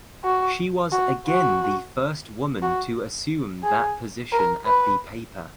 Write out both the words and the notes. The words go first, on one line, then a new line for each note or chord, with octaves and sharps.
She was again the first woman to assume that position at the paper.
F#4
F#4
F#4
F#4
G#4
A#4
B4